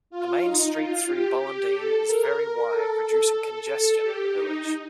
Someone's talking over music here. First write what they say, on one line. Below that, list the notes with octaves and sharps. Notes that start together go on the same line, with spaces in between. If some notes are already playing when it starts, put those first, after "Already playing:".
The main street though Ballindine is very wide reducing congestion in the village.
F4
D#4
F4
G4
G4
A4
A#4
A4
G4
D#4